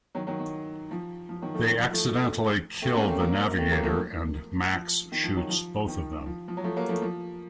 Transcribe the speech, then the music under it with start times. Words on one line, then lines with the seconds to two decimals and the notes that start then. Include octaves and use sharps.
They accidentally kill the Navigator and Max shoots both of them.
0.15 D#3 F#3
0.27 D#3 F#3
0.40 D#3
0.91 F3
1.29 F3
1.42 D#3 F#3
1.54 F3 A3
1.67 D#3 F#3
1.80 F3
1.92 F3 A3
2.82 A3 C4
2.95 A#3 C#4
3.08 A3 C4
3.20 F#3 A#3
3.58 A3 C4
3.71 F#3 A#3
3.83 F3 A3
4.72 F3
5.12 D#3
5.23 F3
5.37 D#3 F#3
5.49 F3
5.88 D#3
6.26 F3
6.48 F3
6.57 F#3
6.64 F3 A3
6.76 F#3 A#3
6.89 F3 A3
7.02 F3